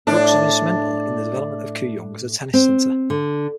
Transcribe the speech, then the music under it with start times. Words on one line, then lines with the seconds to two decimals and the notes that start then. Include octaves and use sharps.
Brookes was instrumental in the development of Kooyong as a tennis centre.
0.07 A2 D4
2.54 C4
3.10 D3